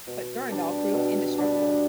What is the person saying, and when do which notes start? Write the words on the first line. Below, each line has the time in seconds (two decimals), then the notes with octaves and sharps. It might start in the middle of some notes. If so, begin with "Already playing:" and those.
But Durendal proved indestructible.
0.07 B2
0.51 G3 D4
0.94 B2
1.38 G3 D4